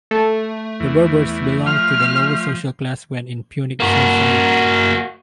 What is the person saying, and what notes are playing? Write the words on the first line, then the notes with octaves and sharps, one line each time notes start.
The Berbers belonged to the lower social class when in Punic society.
A3 A4
E2
F3 F6
A#3 F#4